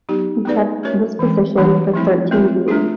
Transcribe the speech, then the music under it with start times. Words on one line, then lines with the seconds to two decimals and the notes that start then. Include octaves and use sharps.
He kept this position for thirteen years.
0.09 F#3 B3 D#4 G4
0.45 B3 D#4 G#4 B4 D5
0.83 A3 C#4 F#4 A#4 C#5
1.19 E3 G#3 C4
1.57 E3 G3 A#3 D4 G4
1.94 F3 A3 C4 E4
2.31 A3 C4 F4 A#4
2.68 A3 D4 F4 G#4